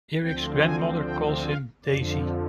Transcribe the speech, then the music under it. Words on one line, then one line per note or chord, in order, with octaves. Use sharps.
Eric's grandmother calls him "Desi".
D2 D3 F3 C4 G5
G#5
G5
F5
F2 D3 F3 D5